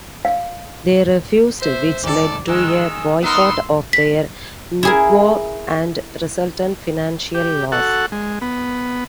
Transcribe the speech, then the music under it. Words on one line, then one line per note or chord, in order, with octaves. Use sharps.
They refused, which led to a boycott of their mikvah and resultant financial loss.
F5
C5 E5
D#3 A4 D5
D#3 G#3 E6
B3 D#4 A#4 C6 E6
B6
E4 G#4 A#4
G4
F#4 A4 F#5
G#3
B3